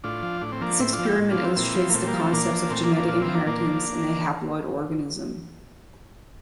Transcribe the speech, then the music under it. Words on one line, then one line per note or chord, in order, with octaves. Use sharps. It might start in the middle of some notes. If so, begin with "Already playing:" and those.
This experiment illustrates the concepts of genetic inheritance in a haploid organism.
A2 D4 F4
F3
A2 D4
C4
F3 A#3 D4
A2 C4 E4
D4 F4
F3
E4 G4
A2
D4 F4
F3
C4 E4
A#2 C4 E4
F3
A#3
A#2 A3 C4
G3 A#3
F3
A3 C4
A#2 A#3 D4
F3
A#2 A3 C4
A#3 D4
F3
A#3 D4
A#2 D4 F4
C4 E4
F3
A#3 D4
A#2 A#3 D4
F3